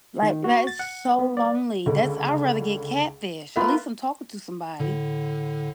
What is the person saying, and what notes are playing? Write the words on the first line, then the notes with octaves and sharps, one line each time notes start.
like, that is so lonely. That's I'd rather get catfish, at least I'm talking to somebody.
D#3
F#4
A6
F#5
B3
D5
C#2 D3
A#3 B3 F4 E5
A2 D3